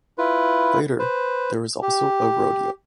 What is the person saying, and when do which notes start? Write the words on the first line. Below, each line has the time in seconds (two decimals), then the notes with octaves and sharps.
Later there is also a rodeo.
0.18 E4 F4 B4
0.99 B4 C5
1.82 G4